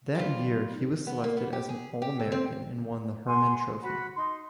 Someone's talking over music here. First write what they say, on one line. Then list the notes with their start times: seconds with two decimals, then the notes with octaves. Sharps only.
That year, he was selected as an All-American and won the Hermann Trophy.
0.15 F#3 G3 F4
0.72 D#4
1.07 B3
1.24 A#3
1.37 B3
1.53 G4
1.69 G#4
2.02 G4
2.20 A4
2.32 C4
3.24 F#5 G#5 C6
3.83 F#4 F#5 B5
4.14 D#4 C6